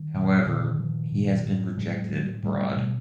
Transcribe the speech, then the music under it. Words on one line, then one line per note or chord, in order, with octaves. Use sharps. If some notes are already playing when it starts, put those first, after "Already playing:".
However, he has been rejected abroad.
Already playing: D#3
A#2
A#2 D3
D#3
D#3
A#2 D#3 F3
A#2
A2
A2 F#3 G#3
A2
A2 G3 A3
B2